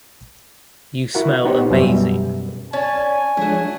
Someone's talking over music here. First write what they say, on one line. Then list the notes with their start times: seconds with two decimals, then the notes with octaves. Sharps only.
You smell amazing.
1.15 E4 F#4 A#4 F#5
1.45 B3 D#4 G4 C5 C#5
1.71 F#2 B2 G3 E5
2.73 C#4 D5 G#5 A5
3.37 F3 G#3 A3 D4 F#4 C#5